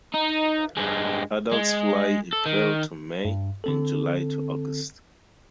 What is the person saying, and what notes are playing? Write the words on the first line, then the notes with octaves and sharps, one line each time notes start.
Adults fly April to May and July to August.
D#4
G2 G#3
G#3
A4
D#3
G2
D3 C4 A4